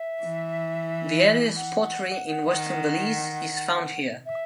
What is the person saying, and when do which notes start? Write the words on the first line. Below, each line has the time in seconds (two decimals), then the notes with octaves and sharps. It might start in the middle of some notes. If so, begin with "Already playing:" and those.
The earliest pottery in western Belize is found here.
Already playing: E5
0.22 E3
1.56 F#5
2.46 D#3
4.26 E5